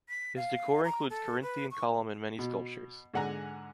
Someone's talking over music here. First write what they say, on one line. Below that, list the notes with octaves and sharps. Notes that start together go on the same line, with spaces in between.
His decor includes Corinthian column and many sculptures.
B6
F5
A#5
A4
B4
C#6
B2
G#2 D3 F#5 G#5 A#5